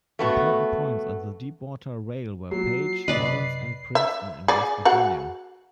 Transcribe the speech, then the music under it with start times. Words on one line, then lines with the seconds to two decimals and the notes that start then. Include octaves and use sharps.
Important points on the Deepwater Railway were Page, Mullens and Princeton in West Virginia.
0.19 A3 B3 F#4
2.51 F#3 A#3 F4 C7
3.08 F#2 C3 B4 D5 D#5
3.95 E5
4.48 G#4 D5
4.85 F#4 G#4 F#5